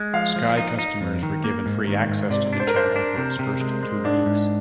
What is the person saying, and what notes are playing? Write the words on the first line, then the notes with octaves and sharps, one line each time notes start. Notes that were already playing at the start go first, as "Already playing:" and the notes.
Sky customers were given free access to the channel for its first two weeks.
Already playing: G#3
F3 F5
F3
D#4
D#4
F2
D#3
A#3
G#2
D#3
G#2
C3 D5
D4
C5
A#4
D4 C5
D4
C3
C3
G#3
G#3
G#2 D4
G#2